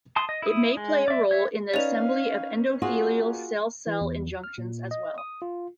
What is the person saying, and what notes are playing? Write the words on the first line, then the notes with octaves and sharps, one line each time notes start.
It may play a role in the assembly of endothelial cell-cell junctions, as well.
A5 C6 D#6
D#5
E4 D#6
G#3
D5 E5
C#5 E5
C#4 D#4 B4 D5 F5 F7
A#3 F4 F#4 G#4
E3
E2
F6
A#2
D#5
D#6
F4